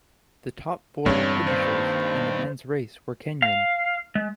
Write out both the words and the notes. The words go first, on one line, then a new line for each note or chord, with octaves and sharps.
The top four finishers in the men's race were Kenyan.
E2 G2 D3 C4 C#4 C#5
D#2 C5
F5
G#3